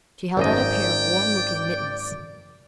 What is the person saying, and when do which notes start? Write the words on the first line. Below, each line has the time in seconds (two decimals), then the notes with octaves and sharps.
She held out a pair of warm-looking mittens.
0.37 G#1 F#2 D5 D#5 G5